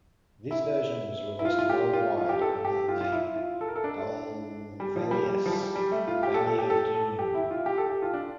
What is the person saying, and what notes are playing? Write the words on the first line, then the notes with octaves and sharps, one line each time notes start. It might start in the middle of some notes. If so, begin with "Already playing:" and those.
This version was released worldwide under the name "Golvellius: Valley of Doom".
E4
E4
F4
F4
G4
F4
F4
G4
A4
G4
F4
F4
E4
F4
A4
A#4
A4
D4
G3
F3
G3
G3
F3
G3
G3
A3
F4
G4
A4
A4
G4
A4
A4
G4
E4
F4
G4
A4
G4
F4
D4